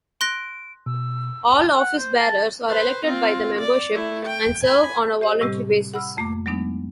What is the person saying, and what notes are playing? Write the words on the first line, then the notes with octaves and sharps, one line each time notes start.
All office bearers are elected by the membership and serve on a voluntary basis.
C6 F#6 A#6 D7
B2 E6
F#5
C5
A5
B4 C5
C4 F4
D5
A3 E4
G5
G#5 B5
G4 C5 D#5
A2 C3 G3 C4 G4
F#5 B5 E6 F6
F2 A3 A#3 A#5 D6
F#3 G#3 B3 D4 D#4